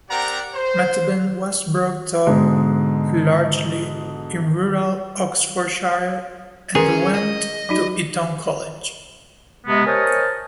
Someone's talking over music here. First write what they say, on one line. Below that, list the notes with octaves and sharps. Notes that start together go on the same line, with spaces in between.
Methven was brought up largely in rural Oxfordshire and went to Eton College.
C4 G4 A#4 D5 F#5 A#5
C5
G#2 B2 D3 G#3
D#3 C#4 G#4 A#4 A#5
D#5
F#3 D#4 F#4
C3 G#3 B3
A#4 C5 C#5 D#5 G#5 A5